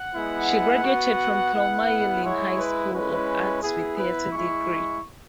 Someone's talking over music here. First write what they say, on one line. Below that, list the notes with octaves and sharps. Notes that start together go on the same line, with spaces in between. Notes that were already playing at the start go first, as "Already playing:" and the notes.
She graduated from Thelma Yellin High School of Arts with theatre degree.
Already playing: F#5
G#3 B3 E4
B3 F#4
B3 E4
G#3 E4 C#5
B4
G#3 C#4 E4 B4
B3 E4 G#4
B4
G#3 E4 C#6